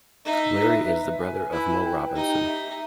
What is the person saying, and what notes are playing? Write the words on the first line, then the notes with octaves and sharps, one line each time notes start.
Larry is the brother of Moe Robinson.
D#4 E5
B4
B4
G#5
E4 B4
G5
D#4 G4
E5